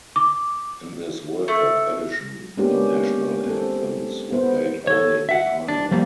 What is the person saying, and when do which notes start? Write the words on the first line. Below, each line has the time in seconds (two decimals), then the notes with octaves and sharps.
In this World Cup edition, the national anthems were played only in the final.
0.16 D6
1.48 A3
2.57 G#3 A#3 B3 C#4 D4 G4
3.46 C4 A4
4.32 B3 C5
4.87 A4 C#5
5.29 E5 F#5
5.68 D4
5.91 F3 G3 A#3